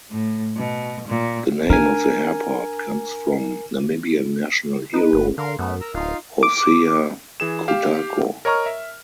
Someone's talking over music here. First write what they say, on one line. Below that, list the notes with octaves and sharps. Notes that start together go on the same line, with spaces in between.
The name of the airport comes from Namibian national hero Hosea Kutako.
A2
B2
A#2
D4 A#4 G#5
D#4 B4
G1
D3 A#4 F5 C6
F#2 A3 B3
A#4 A#5 E6
D1 D#4 F4 F5
D6
E3 G#4 E7
G4 F5
A#4 C#5 D#5 A#5 C#6 F6
E5